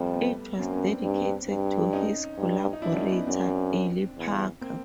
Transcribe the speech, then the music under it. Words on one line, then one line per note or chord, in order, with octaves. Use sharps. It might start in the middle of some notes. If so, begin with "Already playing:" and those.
It was dedicated to his collaborator, Ely Parker.
Already playing: F2 G3 A3
A3 B3
F#2 A#3 C4
B3 C#4
C4 D4
G2
G2
C#4 D#4
G2
D#4
F#2 D4 E4
D4
C#4 D#4
B3 C#4
F#2 C4 D4
E2
A#3 C4